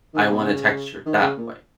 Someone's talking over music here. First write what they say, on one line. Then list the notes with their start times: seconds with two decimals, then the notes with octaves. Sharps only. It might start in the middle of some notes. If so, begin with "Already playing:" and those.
I want a texture that way.
0.14 D#3
0.22 C#3
0.31 B2
0.39 C#3
1.06 D#3
1.21 C#3
1.37 A#2